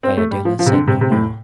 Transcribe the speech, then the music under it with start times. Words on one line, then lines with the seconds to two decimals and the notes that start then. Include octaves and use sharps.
Iadilla said no more.
0.03 C4
0.17 A3
0.31 G3
0.45 F3
0.59 F3
0.66 C3
0.73 D3
0.87 C3
1.01 C3
1.12 A2